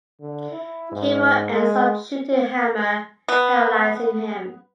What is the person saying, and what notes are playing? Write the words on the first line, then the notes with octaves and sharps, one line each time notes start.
Cable ends up shooting Hammer, paralyzing him.
D3
E4
G#2
G#3
B3